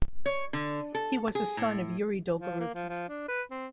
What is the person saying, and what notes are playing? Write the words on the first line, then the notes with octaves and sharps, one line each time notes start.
He was a son of Yuri Dolgorukiy.
C#5
D3
A4
G#4
A2
F3
A#3
F3
F3
D4
B4
C4